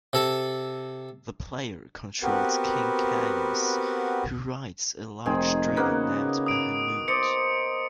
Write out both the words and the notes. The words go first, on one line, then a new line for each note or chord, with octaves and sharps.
The player controls King Kayus, who rides a large dragon named Bahamoot.
C3 A4 A5
B3 C4 F#4 G4 A#4 B4
F1 D#3 C4 G#4
C#3 A#3 B3 F#4
D#6 D7
C5 D5 D#5 C#7